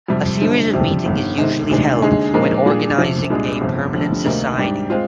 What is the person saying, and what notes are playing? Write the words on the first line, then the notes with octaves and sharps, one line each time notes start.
A series of meetings is usually held when organizing a permanent society.
F2 C3 G3
G2 D3 F3 G#3
F2 C3 G3 D4 G4
G1 G2 D#3
C3 D#3 G#3 D#4
D2 C3 D#3 G#3 D4
D#2 D3 G#3 D#4 G#4
A#2 F3 G#3 D#4 A#4
A#2 G3 D4 G#4
F2 C3 F3
C2 A#2 G#3 D4 G#4
G1 F2 C3
F1 F2 D3
D2 C3 D#3 A#3 D#4
G#2 G3 D4 G4
G#3 C4 F4